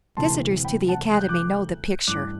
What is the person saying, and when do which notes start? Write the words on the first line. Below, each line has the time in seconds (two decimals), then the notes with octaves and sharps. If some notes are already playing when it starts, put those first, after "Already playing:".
Visitors to the Academy know the picture.
0.17 E1 D2 C3 E3 A5 C6
0.64 G5 B5
0.88 F#5 A5
1.12 F#6
1.21 G6
1.29 D6 F#6
2.07 A1 G2 E3 D6 F#6